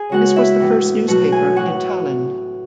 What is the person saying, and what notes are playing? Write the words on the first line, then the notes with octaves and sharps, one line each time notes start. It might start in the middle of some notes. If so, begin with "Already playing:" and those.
This was the first newspaper in Tallinn.
Already playing: G#4 G#5
C#3 G#3 B3 F#4 F#5
E4 E5
A2 E3 B3
B2 F#3 A3 F#4 F#5
G#4 G#5
A2 E3 B3 F#4 F#5